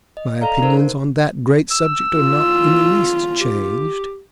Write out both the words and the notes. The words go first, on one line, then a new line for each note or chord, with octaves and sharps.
My opinions on that great subject are not in the least changed.
D#5
A4 D5 F5 A#5
D#4 A#4 C5
E6
F4
G4